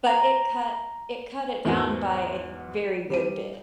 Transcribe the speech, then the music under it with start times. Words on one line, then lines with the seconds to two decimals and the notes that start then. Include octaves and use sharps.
but it cut it cut it down by a very good bit.
0.07 A#5
1.65 E2 G#2 F#4 A#4 C5
3.10 G3 D#7